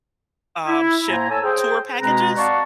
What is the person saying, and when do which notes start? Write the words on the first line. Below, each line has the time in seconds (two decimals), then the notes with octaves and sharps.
um, ship tour packages.
0.67 E4
1.08 A2 A#3 C5 G#5 A#5
1.30 A4 C#5 G#5 A5 E6
1.44 G#4 C5 G5
2.01 B2 G#3 C4 B4 A#5
2.37 D5 F5 F#5 A5 C#6